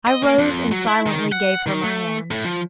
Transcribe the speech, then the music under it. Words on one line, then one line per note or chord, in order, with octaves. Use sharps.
I rose and silently gave her my hand.
D#5
A#3
F2
F#3
E4
D#3
F#5
D#3
A3
A2
F3